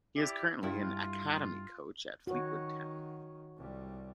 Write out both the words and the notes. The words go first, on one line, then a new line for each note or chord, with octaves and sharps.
He is currently an academy coach at Fleetwood Town.
E4 G4 D5
G2 E4 F4
D#3 F#4 C#5
C2 G3